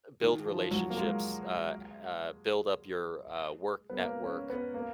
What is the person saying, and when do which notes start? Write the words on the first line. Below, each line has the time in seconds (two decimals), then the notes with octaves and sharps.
build relationships, uh uh, build up your, uh, work network,
0.22 D#3
0.46 F3
0.71 F#3
0.90 A#3
0.97 G#3
3.89 B3
3.99 A#3
4.24 C#4
4.50 B3
4.74 A#3